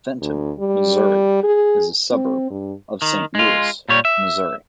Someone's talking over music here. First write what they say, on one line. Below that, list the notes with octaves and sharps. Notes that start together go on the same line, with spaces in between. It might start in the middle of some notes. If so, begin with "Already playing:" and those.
Fenton, Missouri is a suburb of Saint Louis, Missouri.
D2
G3
G#4
C4
G2
D#3
G#3 F4
A#2 G3 C#5
E5